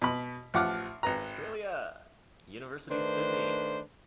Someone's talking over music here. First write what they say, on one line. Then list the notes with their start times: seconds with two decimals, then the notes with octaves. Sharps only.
Australia: University of Sydney.
0.02 B2 B5
0.54 A1 F3 F#5 D6 F6
1.03 G#1 B4 A#5
2.90 D#3 A3 D4 B4 C5